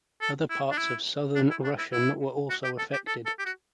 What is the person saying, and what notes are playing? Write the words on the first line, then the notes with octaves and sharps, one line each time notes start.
Other parts of Southern Russian were also affected.
A4
E4
D4
E4
D4
E4
D4
E4
E4
F#4
G4
A4
G4
A4
A4
G4
F#4